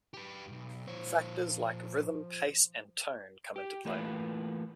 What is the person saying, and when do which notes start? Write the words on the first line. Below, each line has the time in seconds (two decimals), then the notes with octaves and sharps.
Factors like rhythm, pace, and tone come into play.
0.14 G4 B4
0.47 B1 G2
0.87 A#2 F3 C#5
3.56 G4
3.85 E3 A3 A#3 F4 B4